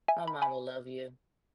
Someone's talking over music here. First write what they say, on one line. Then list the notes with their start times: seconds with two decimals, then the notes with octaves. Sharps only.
My mom will love you.
0.08 E5 G#5
0.27 B5
0.42 G#5 B5